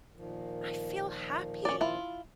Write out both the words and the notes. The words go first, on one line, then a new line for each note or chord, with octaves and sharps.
I feel happy!
A#2 D#3 F3
C#4 D5
E4 F4